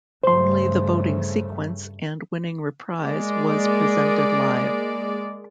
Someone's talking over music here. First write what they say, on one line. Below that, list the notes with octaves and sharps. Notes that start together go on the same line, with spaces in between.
Only the voting sequence and winning reprise was presented live.
G2 C#3 A3 C5 C6
G#3 A#3 D5